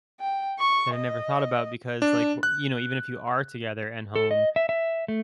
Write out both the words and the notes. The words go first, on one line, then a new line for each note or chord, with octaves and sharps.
that I never thought about because, like, w you know, even if you are together at home,
G5
C#6
D#5
D4
F#6
A4
D#5
E5
E5
A3